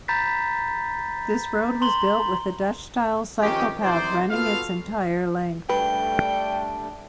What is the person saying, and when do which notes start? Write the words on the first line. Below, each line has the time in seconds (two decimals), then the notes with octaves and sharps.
This road was built with a Dutch style cycle path running its entire length.
0.08 A#5 B5 G6 A6 B6
1.81 A#5 C6 F#7 G7
3.42 D#3 F3 C4 C#4 D#4 G4
3.83 C2 D#4 C5 D5
4.30 B3 F4 F#4 A4 F5
5.69 G3 A3 D4 B4 G5